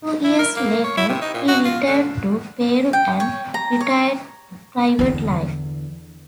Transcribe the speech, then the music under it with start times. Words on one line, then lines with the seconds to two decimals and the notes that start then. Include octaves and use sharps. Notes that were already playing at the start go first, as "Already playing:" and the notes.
Two years later he returned to Peru and retired to private life.
0.24 E4
0.39 A#4
0.57 A#3
0.84 C#5
0.97 E4
1.09 C3
1.21 D#4
1.34 A#2
1.48 F#4
1.65 F4
1.87 D3
2.93 G5
3.20 C#5
3.54 A#5
3.80 C#5
4.99 E2 D3